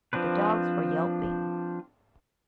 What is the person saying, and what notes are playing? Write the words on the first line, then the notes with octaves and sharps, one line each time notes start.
The dogs were yelping.
F3 C4 D4 B4